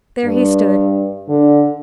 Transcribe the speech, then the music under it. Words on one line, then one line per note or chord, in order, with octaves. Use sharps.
There he stood.
G2
D3